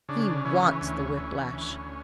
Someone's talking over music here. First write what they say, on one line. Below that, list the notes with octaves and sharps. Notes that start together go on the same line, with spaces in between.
He wants the whiplash.'
C#3 D4
E3 C#4
D2 C#4
E3
D2